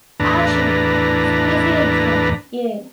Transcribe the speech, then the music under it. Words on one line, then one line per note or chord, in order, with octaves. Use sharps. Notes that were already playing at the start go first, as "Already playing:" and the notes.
Achery, "Spicilegium", ii.
E2 A2 D4 B4 A#5